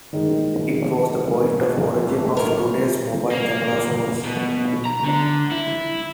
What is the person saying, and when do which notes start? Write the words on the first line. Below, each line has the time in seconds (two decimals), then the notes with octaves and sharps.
It was the point of origin of today's mobile camera phones.
0.13 D#3 G#3
2.06 A1 E3 G#3 A3 G4
2.37 A#4 C#5
3.31 A#3
4.25 B2
4.85 A#5
5.05 D3
5.51 E4